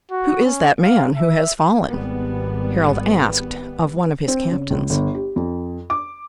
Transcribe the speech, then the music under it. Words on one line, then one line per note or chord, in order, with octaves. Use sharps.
'Who is that man who has fallen?' Harold asked of one of his captains.
F#4
C#4
F5
E5
G#1 G3 B3
C4
C#3
C#2
G1
G4
F2
D6